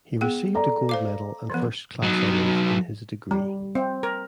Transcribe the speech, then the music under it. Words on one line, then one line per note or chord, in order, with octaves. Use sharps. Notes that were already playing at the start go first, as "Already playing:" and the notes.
He received a gold medal and first class honours in his degree.
B3 G#4 G5
A4 D5 A#5
C5 F5 D6
E3 F3 B3
F#3 D#4
G3
C4
A#4